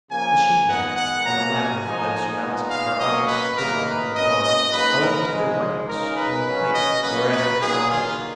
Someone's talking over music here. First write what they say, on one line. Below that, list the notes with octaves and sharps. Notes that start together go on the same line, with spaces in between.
The sheet-net and the labyrinth that surmounts it are objects visible from afar, owing to their whiteness and the height whereat they are placed.
C#3 F3 A#3 G#5
D#3 G#3 B3 D#4 F#5
F#5
A#2 F#3 A#3 C#4 A#5
G#5
G#2 F3 A#3 D#4
A#2 G#3 B3 D#4
F5
B2 F#3 A#3 C#4 D#5
B4
F#2 D#3 A#3 D#4 A#4
B4
B2 A#3 C#4 D#5
D#5
G#2 F#3 A#3 B4
A#4
G#2 F3 G#3
C#3 G#3 D#4 A#4
B4
C#3 F#3 C#4
D#5
C#3 F#3 A#3 C#4 B4
B4
A#2 F#3 A#3 D#4 G#4
F4